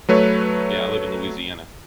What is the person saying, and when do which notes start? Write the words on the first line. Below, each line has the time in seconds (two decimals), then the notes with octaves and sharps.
yeah, I live in Louisiana.
0.09 F#3 A3 B4 C#5